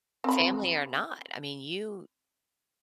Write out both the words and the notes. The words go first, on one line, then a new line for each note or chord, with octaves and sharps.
Family or not, I mean, you
C4 B5